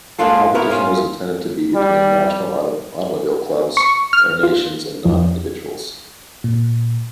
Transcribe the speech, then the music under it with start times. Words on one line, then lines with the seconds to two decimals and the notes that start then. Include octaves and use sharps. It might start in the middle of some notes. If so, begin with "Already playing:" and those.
Competition was intended to be between national automobile clubs, or nations, and not individuals.
0.18 G#3 A#3 C#4 D4 F4 A4
0.55 B3 E4 A#4 C#5
0.70 C#4 F4
1.76 G3
3.77 C#6
4.13 F6
4.43 F4
5.05 F2
6.44 A#2